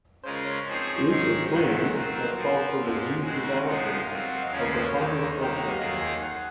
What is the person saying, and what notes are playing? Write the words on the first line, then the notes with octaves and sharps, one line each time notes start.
Recent plans have called for the redevelopment of the harbor front area.
C#3 G#3 C#4 F4 A#4 C5
C#5
F3 C4 D#4 G#4 C#5
C5
C#5
G#2 D#3 G#3 D#4 G#4
C5
C3 D#3 F#3 A#4
G#4
F#3 C4 F4 A#4 C5
A#4
F3 C4 F4 F#5
G#2 F3 G#3
C#3 G#3 C4 F#4 G#5
C6
A#5
G#5
C3 F3 G#3 D#4 F#5
F5
F#3 C4 F4 A#4 F5
F#5
D#5
D#2 C#3 F3 G#3 C#4 F5
A#4
C5
C#5
D#2 D#3 A#3 C5
C#5
C3 D#3 A#3 D#4 A#4
F#5
F5
D#2 D#3 A#3 F4 G#4 D#5
G#5
F#5